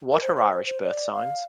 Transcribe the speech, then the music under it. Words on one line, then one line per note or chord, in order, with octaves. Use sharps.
What are Irish Birth Signs?
A#4
C5
C5
C5
C5
D5
F5